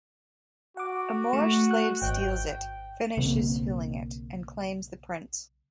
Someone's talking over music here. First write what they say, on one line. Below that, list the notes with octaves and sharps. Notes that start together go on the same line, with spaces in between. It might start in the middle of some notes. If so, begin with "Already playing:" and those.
A Moorish slave steals it, finishes filling it, and claims the prince.
F#4 F#5 D6
A3
F#6
G#1 G5
B1 C#3 A#3 C4